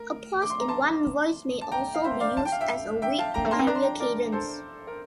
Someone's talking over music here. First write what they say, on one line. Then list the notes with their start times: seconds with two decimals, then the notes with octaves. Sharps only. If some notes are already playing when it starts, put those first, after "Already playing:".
A pause in one voice may also be used as a weak interior cadence.
Already playing: A3 A#4
0.42 D6
0.50 C6
0.60 A#5
0.68 A5 C6
1.07 A#3
1.61 A5
1.72 G5 A#5
1.94 F5
2.04 C5 E5
2.20 D5 F5
2.37 D4 A5
2.45 G5
2.52 F5
2.61 E5 G5
3.02 E5 G5
3.18 F5 A5
3.34 G3 G5 A#5
3.45 A3
3.51 A#3 A5 C6
3.59 C4
3.67 D4 A#5
3.75 C6
3.82 G5 A#5
4.00 A#4 D5
4.32 A4 C5
4.87 A#4